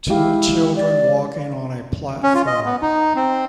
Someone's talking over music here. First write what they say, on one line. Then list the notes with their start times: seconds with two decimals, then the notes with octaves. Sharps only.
Two children walking on a platform.
0.09 G#3 E4 G4 F5
0.76 D5
2.23 C#4
2.34 F4
2.47 D#5
2.65 B3
2.82 D#4
3.16 C4